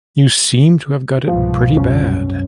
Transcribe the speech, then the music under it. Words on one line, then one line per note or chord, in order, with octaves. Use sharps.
You seem to have got it pretty bad.
C2 G#2 B2 F3
F#2 C#4